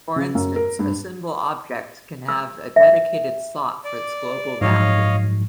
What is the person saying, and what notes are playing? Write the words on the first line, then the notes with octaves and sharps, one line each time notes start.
For instance, a symbol object can have a dedicated slot for its global value.
C#3
F#2
A#4
G2
E6
E5
D5
G#2 F3 F#3 C#5 D#5 F5